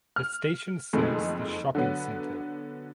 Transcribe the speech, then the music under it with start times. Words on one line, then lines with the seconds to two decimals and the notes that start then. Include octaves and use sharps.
The station serves the shopping center.
0.16 F6
0.93 F#1 F2 D#3 G#3 A3 C4
1.75 D3 F#3 B3